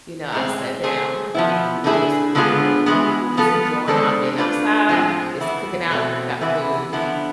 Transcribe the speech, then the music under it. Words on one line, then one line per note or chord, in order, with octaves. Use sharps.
you know, I sat down, and, you know, it's cool or whatever. You know, we're just enjoying out being outside, it's cooking out cook out food,
A2 G#3 C4
A3 C4 G#4 C5
F3 B3 E4
D3 A3 E4 G#4 B4
D3 G#3 B3 F4 G#4
E3 G#3 B3
F3 B3 F4 A4
D3 G#3 D4 A4 C5
A3 D4 F4 B4
A2 F3 G#3 C4 F4
E3 B3 E4
B2 A3 C4
C3 E3 B3 E4 B4
D3 F3 B3 E4